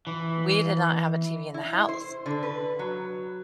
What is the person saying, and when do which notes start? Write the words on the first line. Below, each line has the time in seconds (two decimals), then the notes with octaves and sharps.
we did not have a TV in the house.
0.07 E3
1.54 E4
1.88 C5
2.26 D3
2.43 B4
2.79 F#3